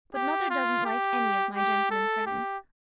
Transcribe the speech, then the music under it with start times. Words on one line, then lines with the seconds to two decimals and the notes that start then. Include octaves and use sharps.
But mother doesn't like any of my gentlemen friends.
0.15 G4
0.50 F4
0.86 G4
1.56 G4
1.91 A4
2.26 G4